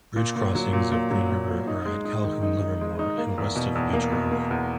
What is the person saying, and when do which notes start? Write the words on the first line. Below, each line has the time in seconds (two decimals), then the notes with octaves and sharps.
Bridge crossings of Green River are at Calhoun, Livermore and west of Beech Grove.
0.16 A#2
0.36 A#2
0.55 F#3
0.73 A#2
0.92 A#2
1.11 F#3
1.30 A#2
1.49 A#2
1.67 D#4
1.86 G#3
2.05 D#4
2.24 D#3
2.43 D#4
2.62 D#4
2.81 G#3
2.99 D#4
3.18 A#3
3.38 E2
3.56 B2
3.75 E2
3.93 A#3
4.12 B2
4.32 A#3
4.51 E2